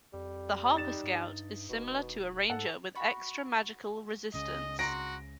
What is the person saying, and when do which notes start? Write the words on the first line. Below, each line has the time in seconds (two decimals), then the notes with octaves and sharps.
The Harper Scout is similar to a Ranger with extra magical resistance.
0.13 F2 G3
0.76 D#4 A6 E7
1.03 G2
1.69 E1 B2
2.50 G#2 A4 F#5
2.95 F#4 B5 C#6
4.34 C#2 C#3 D#5
4.79 F#4 D#5 A#5 C6 A#6 D7